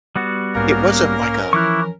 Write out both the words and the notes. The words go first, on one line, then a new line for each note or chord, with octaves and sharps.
It wasn't like a
G3 B3 F#4
B1 G#2 A#3 C#4 A#4
E3 F3 E4 C#6 D6 F#6